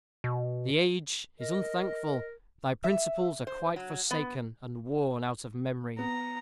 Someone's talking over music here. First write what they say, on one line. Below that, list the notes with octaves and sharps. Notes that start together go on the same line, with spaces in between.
The age is unthankful, thy principles are quite forsaken, and worn out of memory.
B2
A#4 D#5
E5
C5
F#3
B3
B3 A#5